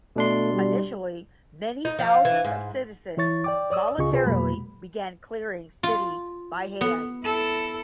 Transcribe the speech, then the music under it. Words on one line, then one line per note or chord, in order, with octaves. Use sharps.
Initially many thousands of citizens voluntarily began clearing city by hand.
B2 A3 D4 C6
G3
D#4
F3
E3
G#2
E3 E4 C#5 C#6 A6
D5 G5 D6
C#5 D5 D#6 E6
C#2 C#3 F4 G#4 D#5 C#6
C3 F4 G#4 B4 C5
F2 B2 F#3 G#3 A#3 B5
F4
B3
E4 A4